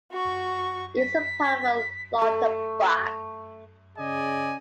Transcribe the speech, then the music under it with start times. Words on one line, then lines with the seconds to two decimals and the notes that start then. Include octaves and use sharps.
It is a part of Lauterbach.
0.12 F#4 C#6
0.97 B6
2.22 A3
3.98 C#3 G#4 D5 D#5 G#5